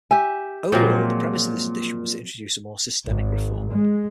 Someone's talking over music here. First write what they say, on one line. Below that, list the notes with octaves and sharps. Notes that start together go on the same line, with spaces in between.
Overall, the premise of this addition was to introduce a more systemic reform.
G4 E5 G#5
A#2 F3 F#3 G#3 C4 C5 D#5
G#1
G#3